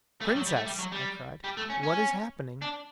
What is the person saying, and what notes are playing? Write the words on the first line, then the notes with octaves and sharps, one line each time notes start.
"Princess!" I cried, "what is happening?"
A3
G3
F#3
G3
A3
G3
F#3
G3
G3
A3
C#4
C#4
D4